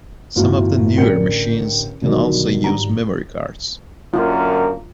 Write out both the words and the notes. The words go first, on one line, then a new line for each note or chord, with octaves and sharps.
Some of the newer machines can also use memory cards.
G1 D2 A2 E3 F4 F#4
A1 D3 A#4 G5 C#7
B1 D3 D#3 F#3 G3
G#1 G3 A#5
F#2 D3 A#3 F4